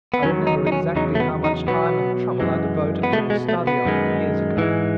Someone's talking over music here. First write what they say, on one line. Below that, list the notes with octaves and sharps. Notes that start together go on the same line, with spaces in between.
I remember exactly how much time and trouble I devoted to the study of it, years ago.
B3
E2 D#3 F#3 C#4
D#4
D#4
C#4
E2 C#3 F#3 D#4
A3
B3
D#4
B2 F#3 B3
F#2 E3 G#3
B3
B2 G#3 A3
G#3
A3
B3
F#2 D#3 G#3
G#2 E3 G#3